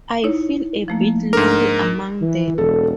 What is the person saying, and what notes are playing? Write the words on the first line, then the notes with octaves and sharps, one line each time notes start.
I feel a bit lonely among them.
D#4 E4 C#5
F3 A3 A#3
G#2 D4 A#4
E3
E1 A4